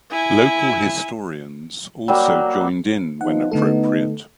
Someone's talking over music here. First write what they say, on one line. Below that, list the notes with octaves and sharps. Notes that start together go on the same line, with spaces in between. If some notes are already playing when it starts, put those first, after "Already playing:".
Local historians also joined in when appropriate.
E4 G#5
F#3 G3 A#3
F3 B3 D#4 F#5
D3 A3 B3 D#4 A4